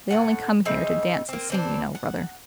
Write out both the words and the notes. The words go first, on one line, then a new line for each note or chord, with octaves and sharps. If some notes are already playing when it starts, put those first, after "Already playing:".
They only come here to dance and sing, you know, brother.
A2 F#5
C#3 C4 D#4 E5
A#3 C4
E3 C4 D4
F#5